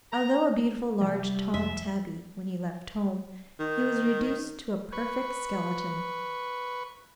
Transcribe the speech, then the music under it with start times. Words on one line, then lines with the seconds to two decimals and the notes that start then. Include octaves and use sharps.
Although a beautiful large Tom tabby when he left home, he was reduced to a perfect skeleton.
0.13 A#5
1.01 C2 G3
1.54 F2 E5
3.59 D#3
4.92 B4 C#6